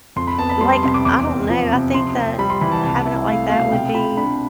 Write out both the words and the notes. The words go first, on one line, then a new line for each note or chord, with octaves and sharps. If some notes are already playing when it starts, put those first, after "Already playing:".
I Like, I don't know, I think that having it like that would be
F2 C6
B5
B3 A5
B5
G3 C6
C6
C3 C6
D6
E2 D6
C4
F3
C3
C3 C6
C4
G3 B5
C6
E3 B5
A5
C2
E4
A3 F5
B2 F5
C3 G5
F4 B5
D4 B5